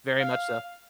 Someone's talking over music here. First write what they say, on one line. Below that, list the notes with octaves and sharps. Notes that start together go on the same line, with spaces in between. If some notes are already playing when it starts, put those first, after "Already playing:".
Very much so.
F5